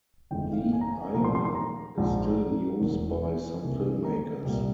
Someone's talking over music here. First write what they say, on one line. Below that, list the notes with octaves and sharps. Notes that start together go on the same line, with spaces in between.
The Eyemo is still in use by some filmmakers.
G1 F2 E3 G#3 G5
F5
G#5
A#5
G#5
C2 A#2 F3 A#5
C6
C6
C6
A#5
A#1 G#2 F3
E1 E2 E3 A#3
G#5
C2 C3 E3 A#3
A#5
C2 A#2 G3